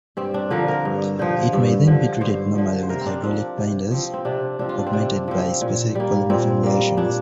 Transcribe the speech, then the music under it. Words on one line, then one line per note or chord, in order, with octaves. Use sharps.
It may then be treated normally with hydraulic binders, augmented by specific polymer formulations.
G2 C4
D4
D3 F3 A#4
A#4
G2
D3 F3
G2
D3 F3
G2 C5
D3 F3
C5
C3 A#4
C4
D4
F3 C4 D4
C3
F3 C4
C4
C3 D4
F3 C4 D4
F4
D4
C4
C3 D4
F3 C4
A#2
G3 A#3
A#2 C4
G3 A#3
A#2 D4